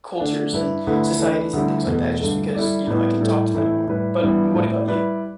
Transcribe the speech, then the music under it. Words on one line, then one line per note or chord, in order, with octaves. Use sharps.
cultures and societies and things like that, just because, you know, I can talk to them more. But what about you?
D3 A3 D4
G2 G3 E4 B4
D2 D3 A3 E4 B4
E3 A3 D4 B4
D2 D3 G3 E4 G4
E2 B2 A3
G2 D3 A3
G3 E4 A4 D5
A2 G3 B3 E4 B4
A2 G3 E4 A4
A2 E3 A3 E4
A2 G3 E4 B4
G2 E3 G3 B3 E4
A2 A3 E4 A4 D5
G3 E4 B4 D5